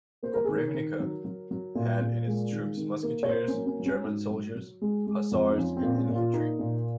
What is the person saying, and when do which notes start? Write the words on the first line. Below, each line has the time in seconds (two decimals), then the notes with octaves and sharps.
Koprivnica had in its troops musketeers, German soldiers, hussars and infantry.
0.23 A#3 C5
0.34 A#4
0.45 D#3 G#4
0.55 A#4
0.74 D#3
1.00 F#3
1.25 F#3
1.51 F#3
1.75 A#2
2.01 A#2
2.27 G#3
2.52 D#3
2.77 D#3
3.03 A#3
3.23 C#5
3.28 A#3 C5
3.48 C#4
3.54 F#3
3.66 C#4
3.80 F#3
3.86 C#4
4.04 G#2
4.30 F#3
4.55 F#3
4.81 G#3
5.07 G#3
5.32 F2
5.49 D#4
5.57 F3 C#4
5.77 C4
5.83 A#2
5.95 C#4
6.09 A#2
6.15 F4
6.33 A#3 D#4
6.59 A#2